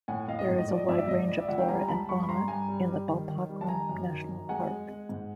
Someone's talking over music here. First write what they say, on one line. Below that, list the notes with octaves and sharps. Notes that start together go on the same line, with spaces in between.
There is a wide range of flora and fauna in the Balpakram National Park.
A2 F#5 G#5
A2 D#5 F5
D#5
G#2
D#5
F3 D5
D#5
G#2 D5 E5
D5 E5
G#2 D#5
D5
C#2 D#5
D5 E5
C#2 E5 F#5
F5 G5
G3 G#5 A#5
A#5
C#2 A5 B5
G2 B5 C#6
B5
G2 A#5 C6
G2 G#5 A#5
G3
G3
D#3
D#3
G3
A5
D#3 G#5 A#5
F#2
D#3
F#2
G#3 F#5 G#5
G#3
G#3
G#2